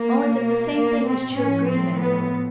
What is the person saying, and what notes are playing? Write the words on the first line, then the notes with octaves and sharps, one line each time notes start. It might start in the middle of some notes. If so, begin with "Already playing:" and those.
'Only that the same thing is true of Greenmantle.
Already playing: A#3
B2
A#3
C4
A2 F3 C#4
C4
B3